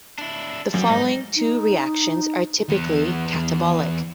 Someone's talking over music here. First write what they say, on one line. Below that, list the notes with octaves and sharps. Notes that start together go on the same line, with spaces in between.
The following two reactions are typically catabolic.
D4 E4
F#2 G3
G#2 D#4
D#4
E3 B3